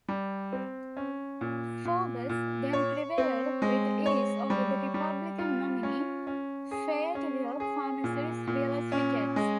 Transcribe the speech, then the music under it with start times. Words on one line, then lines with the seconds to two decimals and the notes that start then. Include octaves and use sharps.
Faubus then prevailed with ease over the Republican nominee, Fayetteville pharmacist Willis Ricketts.
0.08 G3
0.53 C4
0.97 C#4
1.41 A#2
1.85 A#2
2.29 A#2
2.73 C#5
3.18 C4
3.62 G#3
4.06 C#5
4.50 G3
4.94 G3
5.38 F4
5.83 C#4
6.27 C#4
6.71 G#4
7.15 C#4
7.60 G#4
8.04 A#2
8.47 A#2
8.92 C#4
9.36 G#3